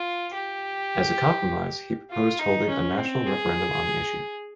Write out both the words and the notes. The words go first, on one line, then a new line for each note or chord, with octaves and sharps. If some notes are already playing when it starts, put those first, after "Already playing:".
As a compromise he proposed holding a national referendum on the issue.
Already playing: F4
G4
F4
D#4
C#4
C4
G#4